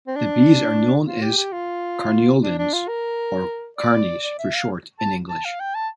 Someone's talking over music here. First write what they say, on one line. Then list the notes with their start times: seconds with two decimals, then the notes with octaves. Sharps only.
These bees are known as Carniolans, or "Carnies" for short, in English.
0.07 C4
0.16 D4
1.08 F4
1.22 G4
1.37 G4
1.52 F4
2.43 D4
2.58 D4
2.73 F4
2.88 A#4
3.78 D5
4.24 D5
4.39 E5
4.55 F5
5.00 A5
5.29 A5
5.45 F5
5.60 G5
5.75 A5